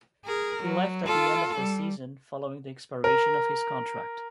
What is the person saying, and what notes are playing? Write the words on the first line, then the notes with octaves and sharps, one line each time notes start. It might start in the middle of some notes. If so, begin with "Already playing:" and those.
He left at the end of the season following the expiration of his contract.
G#4 A#4
F#3
F4 A4
G3
A#4